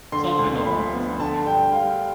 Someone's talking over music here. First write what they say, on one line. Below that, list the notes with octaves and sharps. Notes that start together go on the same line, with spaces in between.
something along those lines will probably work.
D3 C6
D2
C6
F3 B5
B3
D3 A5
G2 G5
G3 F5